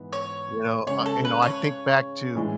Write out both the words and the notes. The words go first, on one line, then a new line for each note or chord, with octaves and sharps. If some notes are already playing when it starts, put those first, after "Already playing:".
You know, uh, you know, I think back to
Already playing: G#2 E3 B3
C#5
C#3 G#3 C#4 C#5
A4
B4
C#5
A2 E3 G#3 D4